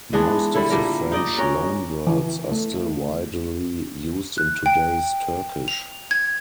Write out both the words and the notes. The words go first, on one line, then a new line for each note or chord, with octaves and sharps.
Most of the French loanwords are still widely used in today's Turkish.
E3 G#3 B3 D4
D3 G3 E4 A4
A#2 G3 A#4
D#4 D5 D#5
C#4 F#4 A#4
E3
A3
F#6
G5
F7
G#6